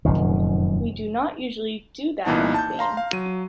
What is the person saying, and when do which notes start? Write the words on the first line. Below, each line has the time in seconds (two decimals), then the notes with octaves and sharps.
We do not usually do that in Spain.
0.05 F1 F#2 A#2 D#3
2.25 C2 A#2 E3 B3 D#4 A5
2.54 A5 G6
2.79 F5 A#5 C6
2.97 F5
3.13 F#3 D#7